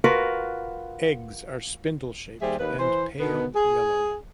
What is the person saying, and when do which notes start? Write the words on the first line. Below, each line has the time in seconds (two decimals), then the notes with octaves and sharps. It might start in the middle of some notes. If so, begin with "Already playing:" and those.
Eggs are spindle shaped and pale yellow.
0.04 F4 F#4 A#4 B4
2.41 D#2 G3 G#4 C5 E5
2.59 D#2 B4
2.79 E3 C5
3.20 B2 D#3 B3
3.55 G#4